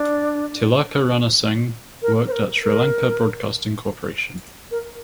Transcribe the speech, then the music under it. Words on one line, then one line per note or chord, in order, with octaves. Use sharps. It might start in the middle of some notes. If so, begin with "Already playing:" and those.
Tilaka Ranasinghe worked at Sri Lanka Broadcasting Corporation.
Already playing: D4
A#4
C5
A#4
A#4
A#4